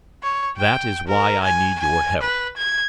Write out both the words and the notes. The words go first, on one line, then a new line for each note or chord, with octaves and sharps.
That is why I need your help.
C#5
G5
A#4
G#5
G#5
B4
G#6